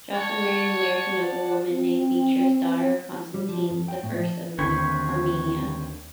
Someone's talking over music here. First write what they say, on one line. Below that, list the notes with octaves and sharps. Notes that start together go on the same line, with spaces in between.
Joscelin married an Armenian noblewoman named Beatrice, daughter of Constantine the First of Armenia.
C#5 D5 F#5 A5
C4
G3
F3
F2
G5
A2
F3
D#2 D3 C4 B4 C#5